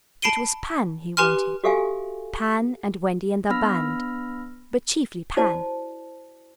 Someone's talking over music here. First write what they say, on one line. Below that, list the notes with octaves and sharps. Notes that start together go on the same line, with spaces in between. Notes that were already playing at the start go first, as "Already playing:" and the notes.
It was Pan he wanted, Pan and Wendy and their band, but chiefly Pan.
A5 B5 C7 D7 D#7 G7
G4 B4 G#5 C6 F6
F#4 G4 A4 E5 F5 G#5
B3 D4 B5 E6 F6 A#6
E4 F#4 C5 D5 A5